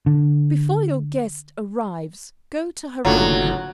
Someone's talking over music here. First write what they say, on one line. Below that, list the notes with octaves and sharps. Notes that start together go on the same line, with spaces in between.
Before your guest arrives, go to her room.
D3
F#1 A2 D3 F#3 F4